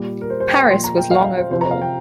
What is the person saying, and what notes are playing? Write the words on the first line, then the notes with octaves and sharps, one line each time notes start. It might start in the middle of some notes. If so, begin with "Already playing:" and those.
"Paris" was long overall.
Already playing: A#2 G3
A#4
C5
C5
G5
G5
A#2 F3 C6
A#5
G5
F5
F5
C5
C3 F3 C5
A#5
F5
G5